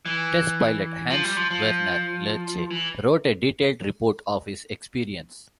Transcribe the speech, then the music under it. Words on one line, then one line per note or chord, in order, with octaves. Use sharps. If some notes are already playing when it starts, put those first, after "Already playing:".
Test pilot Hans-Werner Lerche wrote a detailed report of his experience.
E3
F3
G3
F3
F3
E3